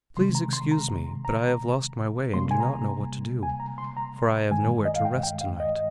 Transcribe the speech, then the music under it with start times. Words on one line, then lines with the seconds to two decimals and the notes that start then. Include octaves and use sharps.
Please excuse me, but I have lost my way and do not know what to do, for I have nowhere to rest to-night.
0.17 C3 D#3 G#3 C6
0.35 A#5
0.53 C6
0.71 A#5
1.25 A#5
2.34 C3 G3 A#3 C6
2.51 G#5
2.60 A#5
3.43 G#5
3.60 A#5
3.78 C6
3.97 A#5
4.51 G2 D#3 G#3 G#5
4.85 D#5
4.95 F5
5.05 G5
5.23 G5
5.41 F5
5.60 D#5